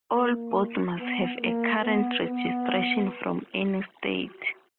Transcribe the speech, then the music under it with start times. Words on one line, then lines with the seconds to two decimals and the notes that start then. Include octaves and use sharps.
All boats must have a current registration from any state.
0.17 A#3
1.00 B3
1.41 A#3
1.82 B3
2.24 B3